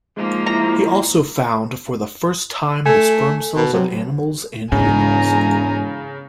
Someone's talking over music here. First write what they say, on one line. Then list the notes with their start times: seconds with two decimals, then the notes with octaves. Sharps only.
He also found for the first time the sperm cells of animals and humans.
0.17 F3 G#3 A#3 D#4
0.46 E4 A#5
2.86 A3 A4 G#5
3.56 B2
3.74 C3 F#3
4.72 E1 G#2 C#3 G#5 A#5